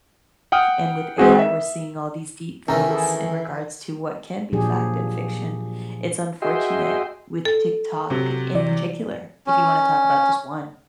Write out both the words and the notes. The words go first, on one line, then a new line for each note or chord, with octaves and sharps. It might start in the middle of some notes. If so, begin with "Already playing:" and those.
and with AI, we're seeing all these deep fakes in regards to what can be fact and fiction. It's unfortunate with TikTok in particular- if you wanna talk about just one-
F#5 G5 D#6 F6
G#3 C4 F#4 G#4
E5
D#3 E3 A3 C#4 A#5
E4 G#4 A4
A#2 F3 F#3 D4 G4 G#4
F#4 G#4 D#5 E5 G5 C6
A4
C3 F#3
E3 D5
C#4